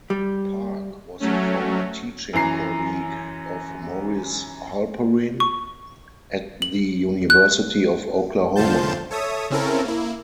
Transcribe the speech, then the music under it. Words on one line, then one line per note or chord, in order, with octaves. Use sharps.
Park was a former teaching colleague of Maurice Halperin at the University of Oklahoma.
G3
F#3 A3 C#4
F#2 E3 A#5 C7
C#6
F#7
F#6
F2 D3 F4 C5 A5 G6
A4 C#5 E5 D#6
C#3 C4 C#4 E4 A4 A#4
A#3 E4